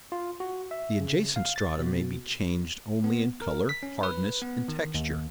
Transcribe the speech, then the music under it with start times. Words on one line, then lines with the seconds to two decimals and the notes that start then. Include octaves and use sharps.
The adjacent strata may be changed only in color, hardness, and texture.
0.12 F4
0.40 F#4
0.71 E5
1.01 C#3
1.36 F5
1.56 A6
1.79 B2
3.04 B3
3.42 A#4
3.69 B6
3.83 C#4
4.03 B4
4.42 B3
4.68 D#3
4.95 D#2